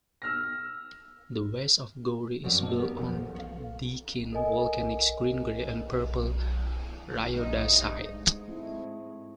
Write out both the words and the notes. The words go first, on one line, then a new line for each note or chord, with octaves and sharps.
The west of Gowrie is built on Deakin Volcanics green-grey and purple rhyodacite.
E6 F6 A#6
F#2 F3 F#3 C4 D5
A#3 C4 D#4 A5
F#3 B3 G4 A#4
E2 E3 F3
A4
C#5 F5
A4 A#4 D#5 G#5
G2 A3 D#4 A4
G#2 G#3
A3 C4 E4